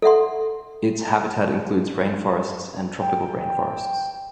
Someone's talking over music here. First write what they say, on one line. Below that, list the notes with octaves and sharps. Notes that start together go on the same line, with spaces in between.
Its habitat includes rainforests and tropical rainforests.
A4 E5 F#5 C6
G5